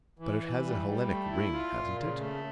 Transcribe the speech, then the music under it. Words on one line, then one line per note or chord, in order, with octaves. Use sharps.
But it has a Hellenic ring, hasn't it?
E3
E3
G3
G3
A3
E4
F4
A#2
C#3
A3